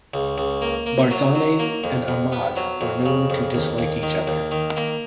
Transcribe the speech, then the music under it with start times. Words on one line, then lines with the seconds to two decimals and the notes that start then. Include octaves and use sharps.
Barzani and Ahmad were known to dislike each other.
0.14 C#2
0.38 C#2
0.62 A#3
0.86 A#3
1.11 F#3
1.35 F#3
1.59 A#3
1.84 F2
2.08 F2
2.32 B3
2.56 F#3
2.81 F2
3.06 C#3
3.30 F2
3.54 D#2
3.79 D#2
4.03 D#3
4.27 D#2
4.51 D#3
4.76 A#3